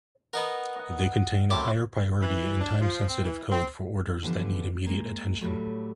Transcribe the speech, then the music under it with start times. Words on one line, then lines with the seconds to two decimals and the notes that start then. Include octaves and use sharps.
They contain a higher priority and time-sensitive code for orders that need immediate attention.
0.33 B3 D#4 A#4 F#5
0.76 D#5 F#5
1.50 F#2 A3 C4 E4 G4 D6
2.21 E3
2.61 D4
2.81 F3
3.08 C4
3.23 E3
3.51 C4
4.23 D3 E3 F3 G3 B3 D4
4.86 G#3 A#3
5.41 A2 F#3 G3 A3